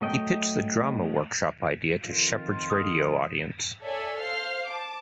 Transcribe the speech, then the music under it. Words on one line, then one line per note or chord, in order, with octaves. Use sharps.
He pitched the drama workshop idea to Shepherd's radio audience.
F#3 A3 D#5 G5
F2 D#3 F4
D#6
A4 C#5 D5 E5 G#5
C5 F5 F6 C7
A5 D6